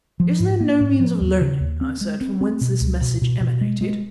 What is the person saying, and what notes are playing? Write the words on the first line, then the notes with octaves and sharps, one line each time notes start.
"Is there no means of learning," I said, "from whence this message emanated?"
F3
G#2
A#3
G#2
F3
D#2
C#3
D#2
C4
G#3
C4
C4
B2
C#2
B2
B2
B2
G#3
G#3